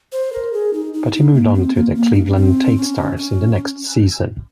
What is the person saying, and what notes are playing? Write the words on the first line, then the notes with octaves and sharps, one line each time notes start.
But he moved on to the Cleveland Tate Stars in the next season.
C5
A#4
G#4
D#4
D#4
D#4
A#3
C4
A#3
A#3
D#4
C#4
C4
C#4
C#4